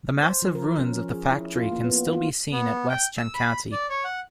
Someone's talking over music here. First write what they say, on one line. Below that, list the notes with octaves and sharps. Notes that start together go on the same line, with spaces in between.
The massive ruins of the factory can still be seen at west Chandkati.
C5
F3
A#4
C#4
F3
G#4
E4
F4
A#3
B3
F4
B3
G5
E6
B5
D5
C#5
F#5